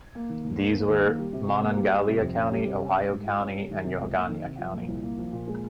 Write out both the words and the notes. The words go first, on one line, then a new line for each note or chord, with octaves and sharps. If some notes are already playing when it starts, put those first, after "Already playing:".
These were Monongalia County, Ohio County, and Yohogania County.
A#3
D#3
D#2
D#2
A#3
D#3
A#3
G3
C3
C3
A#3
G3
G3
C3
F2
C#4
G3
C3
C#4
G3
G#2
F4
C#4
G3
D#3
C3
C#2
A#3
D#3
C3
F3
A#2
C2
A#3
F3
A#2
G#3